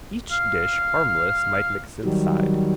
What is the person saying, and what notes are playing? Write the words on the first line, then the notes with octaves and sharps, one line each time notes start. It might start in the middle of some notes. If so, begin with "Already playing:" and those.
Each dish harmless might mix inside.
F5
D#3 F#3 G3